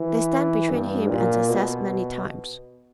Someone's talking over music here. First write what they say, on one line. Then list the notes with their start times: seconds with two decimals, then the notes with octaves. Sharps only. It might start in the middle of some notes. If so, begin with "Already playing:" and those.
They stand between him and success many times.
Already playing: E3
0.70 G2
1.10 A#2
1.50 B2